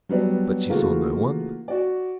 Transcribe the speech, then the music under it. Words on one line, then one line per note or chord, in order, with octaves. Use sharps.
"But she saw no one?"
F#3 G3 B3 D4 B4
C#3 E3 A3 A#3 F4 F#4
F#4 D5